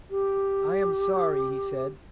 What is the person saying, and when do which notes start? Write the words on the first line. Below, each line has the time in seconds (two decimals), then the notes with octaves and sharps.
"I am sorry," he said.
0.10 G4